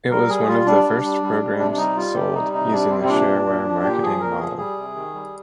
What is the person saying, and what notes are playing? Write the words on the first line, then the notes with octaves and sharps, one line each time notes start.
It was one of the first programs sold using the shareware marketing model.
G3 A#4
G3 G#4
G3 F4
G3 D4
G3
G3
G3
G3
C3 D4
D4
G3 D#4
G3 F4
C3 G4
G3 D#4
C3 D#4
G3 D4
C3 C4
C4
A#2 D4
A#2
A#2
F3
A#2 G4
F3 G#4
A#2 A#4
F3 G#4
G3 G#4
C3
D#3
G3